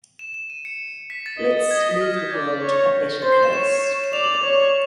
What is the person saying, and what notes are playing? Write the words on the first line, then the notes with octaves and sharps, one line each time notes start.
Let's leave the world a better place.
E7
E7
D#7
C#7
B6
A6
D#5
G#6
A#6
B6
F6
G6
D5 G#6
C#5
C5 A6
C7
E7
C#5 E7
E7
D5 F7
F#7
E7
C#5 F7